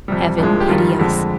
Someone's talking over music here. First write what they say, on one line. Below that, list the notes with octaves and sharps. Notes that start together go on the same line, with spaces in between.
Heaven pity us!
F2 C3 G3
C2 A#2 F3 G#3 D4
G4
G2 D#3 G3 F4
F2 D3 G#3